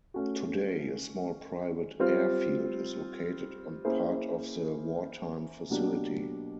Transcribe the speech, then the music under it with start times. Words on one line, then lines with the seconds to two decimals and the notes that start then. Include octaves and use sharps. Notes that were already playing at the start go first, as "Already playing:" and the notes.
Today, a small private airfield is located on part of the wartime facility.
0.14 A3 C#4 F#4
2.00 G3 C4 F4
3.85 A#3 C#4 E4 G#4 C5
5.70 B2 F#3 A#3 D4 G4